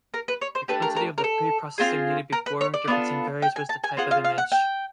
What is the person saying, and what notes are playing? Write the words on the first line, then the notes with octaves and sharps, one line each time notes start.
The complexity of the pre-processing needed before differencing varies with the type of image.
A#4
B4
C#5
C5
A3 D4 G4 B4
A#4
A#4
A#4
A4
C4 F4 G#4
A#4
B4
C#5
D5
B3 D4 F4 A4
G5
G#5
A5
G#5
C4 F4 G#4 F#5
F5
F5
F#5
G5